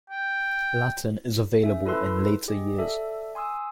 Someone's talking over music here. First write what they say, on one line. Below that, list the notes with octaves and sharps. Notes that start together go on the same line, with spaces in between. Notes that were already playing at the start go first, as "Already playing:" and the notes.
Latin is available in later years.
G5
C#4 E5
E4 A4 B4 C6 E6
G4 G#4 D#5
A4 D5 E5
G#5 C6 D#6 E6